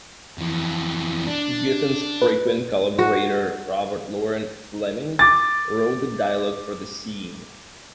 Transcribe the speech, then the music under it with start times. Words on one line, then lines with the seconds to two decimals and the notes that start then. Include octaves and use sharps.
Giffen's frequent collaborator Robert Loren Fleming wrote the dialogue for the scene.
0.38 F2 E3
1.27 D4
2.22 B4
2.99 F#4
5.19 D6 A6